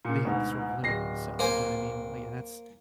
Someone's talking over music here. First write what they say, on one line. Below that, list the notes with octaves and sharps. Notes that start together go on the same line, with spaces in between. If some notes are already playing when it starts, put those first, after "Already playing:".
they have to sort of limit themselves, you know what I mean? Like, and that's
A#2 C#3
D2 G#2 B2
D1 A#6 C7
A#3 C5 G#5